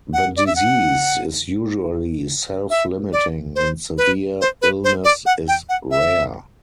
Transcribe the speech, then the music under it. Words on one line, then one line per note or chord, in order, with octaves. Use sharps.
The disease is usually self-limiting, and severe illness is rare.
F#5
D5
E5
F#5
E5
D5
C5
B4
C5
B4
C5
D5
F#5
G5
F#5
E5